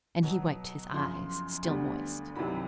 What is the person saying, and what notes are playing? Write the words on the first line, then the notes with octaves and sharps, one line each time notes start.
And he wiped his eyes, still moist.
B2 F#3 B3
F#2 C#3 F3 C6
D2 D3 G3 B3
C2 C3 D#3 F#3 B5